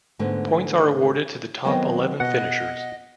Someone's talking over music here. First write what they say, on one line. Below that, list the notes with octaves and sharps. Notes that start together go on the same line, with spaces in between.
Points are awarded to the top eleven finishers.
G#2 D3 G#3 A3 B3
D#3 F#3 B3 C4 D#5
B2 B3 D#5 F#5